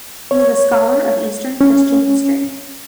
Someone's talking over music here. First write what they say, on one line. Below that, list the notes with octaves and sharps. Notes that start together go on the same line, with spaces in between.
He is a scholar of Eastern Christian history.
C#5
C#4